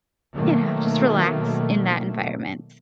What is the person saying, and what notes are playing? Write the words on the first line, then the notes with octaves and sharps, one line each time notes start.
you know, just relax in that environment.
B2 D#3 F#3 A3 A#3